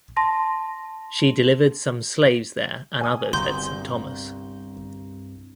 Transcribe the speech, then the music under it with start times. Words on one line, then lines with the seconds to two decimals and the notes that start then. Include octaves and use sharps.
She delivered some slaves there and others at St Thomas.
0.16 A5 C6 A#6
3.01 G#5 D#6
3.33 G1 C2 G2 F#4 A#5 C6 G6